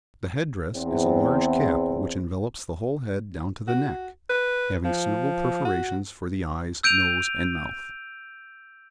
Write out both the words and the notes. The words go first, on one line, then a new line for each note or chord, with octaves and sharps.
The head dress is a large cap which envelops the whole head down to the neck, having suitable perforations for the eyes, nose, and mouth.
E2 C4
F#4
B4
F3
F#4
E6 G6 D7 D#7 F7